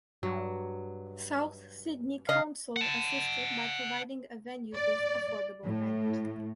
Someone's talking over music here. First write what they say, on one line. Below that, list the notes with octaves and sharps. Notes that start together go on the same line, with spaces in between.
South Sydney Council assisted by providing a venue with affordable rent.
G2 F#3
C#3 D#5 F5
F#5 A5
D5
A2